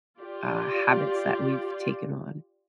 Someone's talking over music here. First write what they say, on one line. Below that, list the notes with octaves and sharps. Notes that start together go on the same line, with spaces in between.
uh, habits that we've taken on.
F4 G4 D5